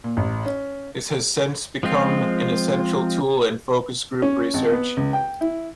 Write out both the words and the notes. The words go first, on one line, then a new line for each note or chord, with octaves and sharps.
This has since become an essential tool in focus group research.
A#2
A1
C#4
F3 G#3 C4 F4
C#4
G#1
B3
C#2
G5
E4